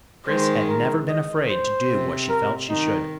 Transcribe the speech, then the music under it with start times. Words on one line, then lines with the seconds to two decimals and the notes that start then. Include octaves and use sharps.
Chris had never been afraid to do what she felt she should.
0.26 D#3 G#3 C5
0.67 A#4
1.08 D#5
1.49 C5
1.89 C3
2.29 A#4
2.69 D#3 D#4